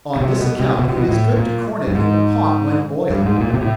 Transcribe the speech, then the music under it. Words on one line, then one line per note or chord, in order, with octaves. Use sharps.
On this account it is good to corn it in the pot when boiled.
C#3
C3
B2
C3
B2
C3
B2
A2
A#2
G2
G#2
G2
G#2
A#2
C3
A2